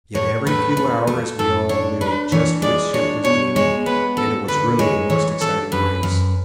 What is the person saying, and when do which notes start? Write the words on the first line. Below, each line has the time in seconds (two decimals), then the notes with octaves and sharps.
Yet every few hours we all knew just which ship was gaining and it was really a most exciting race.
0.15 A2 C#5
0.46 A3 B4
0.77 A3
1.07 A3
1.39 F#2 A4
1.69 D4 C#5
2.01 D4 B4
2.32 E3 C#5
2.62 G#3 D5
2.93 D4 C#5
3.24 B2 C#5
3.56 G#3 C#5
3.86 B3 B4
4.17 F#2 A4
4.48 D3 B4
4.79 G#3 C#5
5.10 E3 C#5
5.41 F#2 A4
5.72 F#2 B4
6.03 F#2